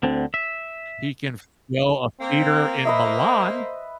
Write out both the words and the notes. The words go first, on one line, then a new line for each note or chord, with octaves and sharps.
He can fill a theater in Milan.
D2 D3 C4
E5
A#3 C4
B4 C5 D#5 E5